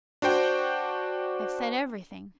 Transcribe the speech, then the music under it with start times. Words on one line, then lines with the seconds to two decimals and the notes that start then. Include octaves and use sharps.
I've said everything....
0.22 D4 F#4 C5 G5